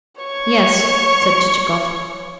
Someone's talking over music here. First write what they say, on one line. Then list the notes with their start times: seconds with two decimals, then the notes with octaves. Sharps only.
"Yes," said Chichikov.
0.21 C#5 C#6